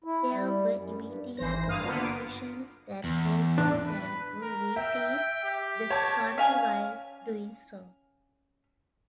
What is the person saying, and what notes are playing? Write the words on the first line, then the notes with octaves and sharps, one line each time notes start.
There were immediate suspicions that Belgium planned to re-seize the country while doing so.
E4
G3
F#2
G2
G#1 E3 C5 A#6
G2 A#3 F5 D#6 D#7
D3 A#3 B3 F4
D7
E2
A2 D4
B4
A#4
E5 G5
G4
C#5 A5
C#4 F5 G#5